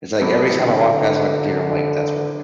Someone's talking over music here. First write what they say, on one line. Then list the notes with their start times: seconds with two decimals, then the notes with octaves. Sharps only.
it's, like, every time I walk past my computer, I'm like, "That's work."
0.20 C3 E3 F#3 B3 E4 A4
0.56 D3
0.91 D3